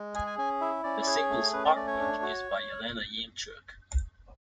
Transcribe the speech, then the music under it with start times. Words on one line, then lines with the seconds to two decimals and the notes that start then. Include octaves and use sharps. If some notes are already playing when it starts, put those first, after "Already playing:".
The single's artwork is by Yelena Yemchuk.
Already playing: G#3
0.15 G#4 G#5
0.27 G#5
0.38 C#4 G#5
0.61 E4 E5
0.84 C#4 D5
1.02 D5
1.07 G#4 C#5
1.30 A3
1.53 C#4 B4
1.65 D5
1.76 A3 D5
1.87 C#5
2.00 D4
2.23 F#4